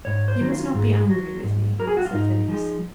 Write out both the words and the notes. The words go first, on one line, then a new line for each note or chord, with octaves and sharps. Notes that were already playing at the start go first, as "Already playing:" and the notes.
"You must not be angry with me," said Phineas.
G#2 C#5
C5
D#3 F#3
F4
G#2
F#3
G#2
F#3 A#4
G#4
F#4
F4
G#2 D#4
F3 G#3